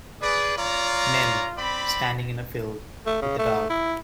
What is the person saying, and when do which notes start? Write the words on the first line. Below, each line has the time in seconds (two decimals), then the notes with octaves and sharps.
Men standing in a field with a dog.
0.22 G#4 B4 D5
0.58 F4 C#5 D5 A#5
1.57 C4 D5 B5
3.06 A3
3.22 C#3
3.38 A3
3.70 E4